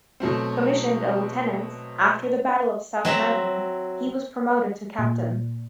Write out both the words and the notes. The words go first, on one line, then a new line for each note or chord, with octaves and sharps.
Commissioned a lieutenant, after the Battle of South Mountain he was promoted to captain.
B2 F#3 A3 C4
F#3 C4 E5 A#5
A#2